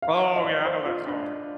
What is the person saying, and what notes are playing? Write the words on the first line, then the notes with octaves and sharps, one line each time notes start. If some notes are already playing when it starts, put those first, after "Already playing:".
Oh yeah, I know that song,
F5
D#5
D5
C5
F4
D4